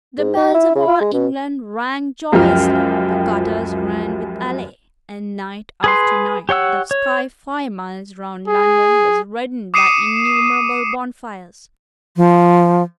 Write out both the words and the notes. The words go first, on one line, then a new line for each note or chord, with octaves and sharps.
The bells of all England rang joyously: the gutters ran with ale; and, night after night, the sky five miles round London was reddened by innumerable bonfires.
G#2
D#4
E4
C#3
F4
G#3
B2
C#2 F#2 F3 G4 G5 F6
G#4 B4 C6
G4 C#5 F#5 E6
C#5
G#4
D6 D#6 C7 C#7 D#7 E7
F3